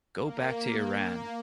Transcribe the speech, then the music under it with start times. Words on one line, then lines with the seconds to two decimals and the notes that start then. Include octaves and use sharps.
Go back to Iran!
0.22 A#3